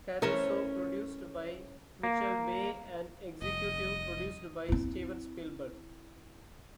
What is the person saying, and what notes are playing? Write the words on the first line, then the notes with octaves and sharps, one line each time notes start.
Caruso, produced by Michael Bay and executive produced by Steven Spielberg.
E3 A3 C#4 A#4 C5 C#5
A#3
F1 D#5
C4 E4